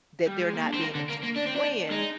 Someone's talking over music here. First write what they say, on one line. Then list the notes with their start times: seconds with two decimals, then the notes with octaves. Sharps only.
that they're not being a true friend,
0.27 G3
0.41 G#3
0.54 A#3
0.67 D4
0.74 C4
0.81 A#3
0.95 D3
1.09 A#3
1.23 A#3
1.36 D4
1.46 C4
1.56 D4
1.90 G#3 D#4